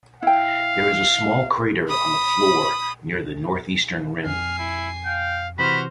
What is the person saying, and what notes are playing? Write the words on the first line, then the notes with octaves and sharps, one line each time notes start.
There is a small crater on the floor near the northeastern rim.
E4 F5 G5
B5 D#6
F2 G#5 F6 C7
E4
F5 G5
C3 E3 F#4 C5 B5 F6 A#6